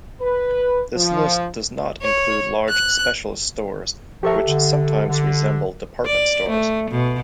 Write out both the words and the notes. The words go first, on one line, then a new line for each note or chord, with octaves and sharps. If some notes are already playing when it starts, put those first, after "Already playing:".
This list does not include large specialist stores, which sometimes resemble department stores.
B4
F3
C#5
F#6
F3 G4 A4 A#4 E5 C#6
D3
D3
D5
A3
B2